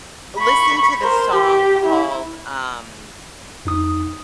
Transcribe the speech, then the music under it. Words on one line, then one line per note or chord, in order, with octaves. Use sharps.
listen to this song called, um,
B5 C#6
A#4 C5
G4
E4
F2 D#4 D#6